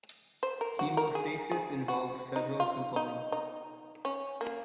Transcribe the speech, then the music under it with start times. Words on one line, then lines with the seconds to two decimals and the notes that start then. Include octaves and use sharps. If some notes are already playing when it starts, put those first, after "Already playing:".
Hemostasis involves several components.
0.43 C5
0.61 A#4
0.79 F#4
0.97 A#4
1.15 G#4
1.51 G#4
1.88 F#4
2.36 D#4
2.60 F4
2.96 D#4
3.32 D#4
4.05 C#4
4.41 A#3